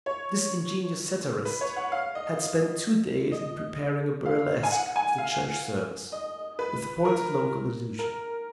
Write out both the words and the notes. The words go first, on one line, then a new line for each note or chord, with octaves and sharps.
This ingenious satirist had spent two days in preparing a burlesque of the Church service, with pointed local allusions.
C#5
B4
C#5
F#5
F5
D#5
D#5
F5
G#5
F#5
G#5
F5
D#5
B4
A#4
A#4